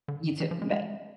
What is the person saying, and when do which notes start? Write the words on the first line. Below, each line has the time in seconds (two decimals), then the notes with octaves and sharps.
You too. Bye.
0.08 D3
0.40 E3
0.51 F3
0.62 G#3
0.72 G#3